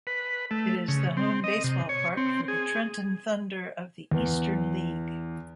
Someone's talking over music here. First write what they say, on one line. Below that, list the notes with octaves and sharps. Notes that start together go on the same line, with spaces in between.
It is the home baseball park for the Trenton Thunder of the Eastern League.
B4
A3
C#3
C4
D#5
C3
C#5
C4
G#4
E2